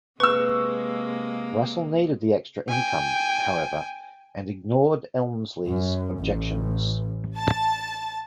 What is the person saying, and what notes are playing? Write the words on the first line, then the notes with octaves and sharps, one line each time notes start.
Russell needed the extra income, however, and ignored Elmsley's objections.
C3 G#3 A#3 B4 C#6 E6
G5 G#5
F#2
A1
A5